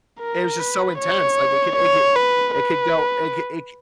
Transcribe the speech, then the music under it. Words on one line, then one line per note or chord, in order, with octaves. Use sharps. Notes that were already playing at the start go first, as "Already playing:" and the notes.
It was just so intense, like, it could it could it could go it c it c
A#4
B4
C#5
C#5
B4
B4